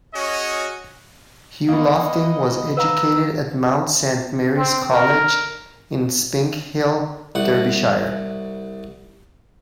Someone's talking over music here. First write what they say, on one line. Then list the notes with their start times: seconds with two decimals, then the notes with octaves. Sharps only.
Hugh Lofting was educated at Mount Saint Mary's College in Spinkhill, Derbyshire.
0.13 C#4 F#4 G#4 C#5 D#5
1.69 A#3 B3 D#5
2.77 B4 F5 A#5 E6
4.57 C4
4.91 A#4
7.35 C2 F#5